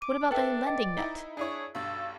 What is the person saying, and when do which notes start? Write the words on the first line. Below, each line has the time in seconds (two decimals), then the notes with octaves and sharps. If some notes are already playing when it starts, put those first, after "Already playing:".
"What about a landing net?"
0.02 D6 D#7
0.31 D4 A4 B4 E5 G5
0.66 D5 D#5 G5
0.97 D#4 E4
1.37 D4 E4 G#4 C#5
1.75 B1 G2 A4